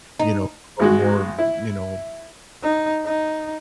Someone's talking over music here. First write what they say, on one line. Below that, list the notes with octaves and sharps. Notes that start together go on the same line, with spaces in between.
you know, grow more, you know,
D#4
G#1 G#3 F#4
E4
D#4
D#4